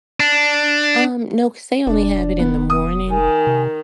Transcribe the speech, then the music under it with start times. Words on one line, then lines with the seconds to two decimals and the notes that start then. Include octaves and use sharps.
Um, no, 'cause they only have it in the morning.
0.20 D4
1.87 F1 D4 D5
2.39 B3
2.70 B3 D#6
3.11 D#3 G#5
3.47 C3